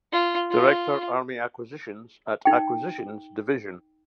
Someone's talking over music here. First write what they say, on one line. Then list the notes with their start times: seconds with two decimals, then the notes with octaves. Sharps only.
Director Army Acquisitions at Acquisitions Division.
0.12 F4
0.51 F4
2.45 D#4 G5